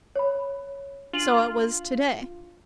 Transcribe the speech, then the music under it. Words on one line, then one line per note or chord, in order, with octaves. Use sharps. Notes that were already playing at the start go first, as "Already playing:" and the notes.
So it was to-day.
C#5 B5
D4 F4 F#7